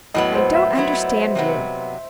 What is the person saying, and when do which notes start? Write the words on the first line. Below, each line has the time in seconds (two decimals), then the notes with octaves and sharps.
"I don't understand you."
0.14 A2 F#3 B3 D#5
0.35 C5
0.55 E5
0.75 A2 F#3 B3
1.35 C3 F#3 B3